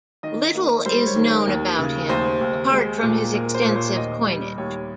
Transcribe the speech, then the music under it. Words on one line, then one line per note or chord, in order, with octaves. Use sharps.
Little is known about him, apart from his extensive coinage.
D#3 D#5
A#3
G3 C5
C#5
D#3
A#4
D#2
C#3
D#2 C5
D#2
G#3
A#2
A#2 A#4
C5
A#2
C#5
C5
D#2 D#5
G3
D#2 C#5